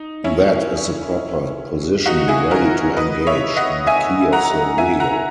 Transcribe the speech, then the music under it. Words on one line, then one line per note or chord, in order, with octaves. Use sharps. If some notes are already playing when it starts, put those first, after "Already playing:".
That is the proper position ready to engage in the key of the wheel.
Already playing: D#4
C#4 E4
D#4 F#4
E4 G#4
F#4 A#4
B4 D#5
C#5 E5
D#5 F#5
E5 G#5
F#5 A#5
E5 G#5
F#5 A#5